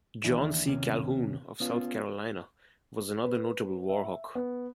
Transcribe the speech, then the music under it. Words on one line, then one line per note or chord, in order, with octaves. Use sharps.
John C. Calhoun of South Carolina was another notable War Hawk.
D#2 E3 D4 E4
D#2 C3 C#4
B3 C#4 F4
B4
E5
B3